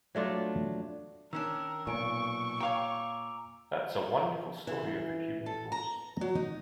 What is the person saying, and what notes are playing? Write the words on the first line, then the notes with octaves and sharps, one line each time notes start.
That's a wonderful story of the Cuban coast.
F#3 A3 D4 F4
D#3 C#4 D4 A#4 E6
B1 A#2 G#5 C#6 D7
C#5 F5 G5 A#5 D6 F7
E3
A4
A#5
F#3
D#4